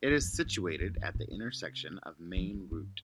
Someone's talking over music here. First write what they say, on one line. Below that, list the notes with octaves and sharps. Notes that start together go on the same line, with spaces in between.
It is situated at the intersection of Maine Rte.
G2
F2
G2
G2
F2
G2
A2
C3
F3
G3
G2